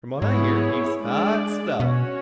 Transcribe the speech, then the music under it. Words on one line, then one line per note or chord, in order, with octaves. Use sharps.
"From what I hear, he's hot stuff!"
G#2 B3 E4 G#4 C#5
G#3 D4 G#4 D5
B2 C#4 F#4 C#5